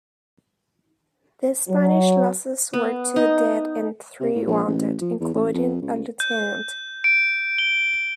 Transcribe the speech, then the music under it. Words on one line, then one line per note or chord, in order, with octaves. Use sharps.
The Spanish losses were two dead and three wounded, including a lieutenant.
F#3
B3
D#4
C3
A2
A#1
A1
F3
E2
A1
F2
C#2
G6
D7
G7